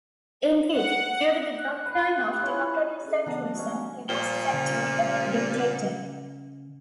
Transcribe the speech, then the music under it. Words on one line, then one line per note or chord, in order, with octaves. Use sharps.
Indeed, due to the doctrine of democratic centralism, he was effectively a dictator.
F#5
F#6
B4
G4
C#4 E4 F4
C#4 G#4 A4
C#3 E3 B3 D4 D5 F#5 A#5
F#3 A#3 G4 F5
C#4 F#4 D5 D#5
A#2 F3 G3 C5 G5
C#3